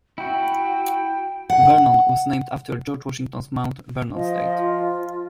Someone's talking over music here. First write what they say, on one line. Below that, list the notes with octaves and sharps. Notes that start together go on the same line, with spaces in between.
Vernon was named after George Washington's Mount Vernon estate.
E4 F#4 G5
F#5
F3 D#5
F4